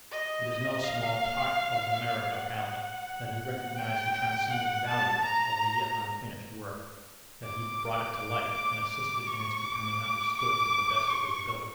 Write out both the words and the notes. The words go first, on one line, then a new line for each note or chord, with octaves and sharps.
It is no small part of the merit of Halley that he recognized the transcendent value of the yet unfinished work, that he brought it to light, and assisted in its becoming understood to the best of his ability.
D#5
F5
F#5
F#5
G5
F#5
A5
A#5
D6
D6
D6
D6
C#6
D6
D6
C#6